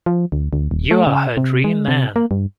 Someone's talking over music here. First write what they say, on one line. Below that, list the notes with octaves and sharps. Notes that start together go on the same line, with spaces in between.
You are her dream man.
F3
D2
D2
D#1
A3
C#3
C3
G#3
C3
A#3
G2